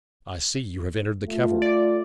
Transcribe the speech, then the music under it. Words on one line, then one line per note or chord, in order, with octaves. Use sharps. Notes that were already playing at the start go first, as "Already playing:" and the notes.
I see you have entered the cavalry.
A3 F4
D5